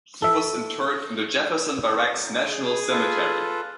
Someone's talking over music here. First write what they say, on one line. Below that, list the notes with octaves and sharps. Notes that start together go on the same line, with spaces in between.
He was interred in the Jefferson Barracks National Cemetery.
A4 E5
F#2
G#4
F4 A4 B4